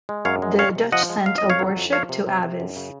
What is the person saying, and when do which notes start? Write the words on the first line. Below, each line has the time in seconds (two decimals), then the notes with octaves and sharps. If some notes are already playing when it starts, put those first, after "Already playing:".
The Dutch sent a warship to Aves.
0.09 G#3
0.25 F#2 C#5 F5
0.42 G#3
0.58 G#3 C#5 F5
0.75 C3
0.92 F3 D#5 F#5
1.09 G#3
1.26 F#3 F5
1.38 D#5
1.43 F2
1.50 C#5 F5
1.59 F#3
1.76 F2
1.92 F3 C#5 F5
2.09 C3
2.27 C3
2.43 C3
2.60 F#2
2.76 C#3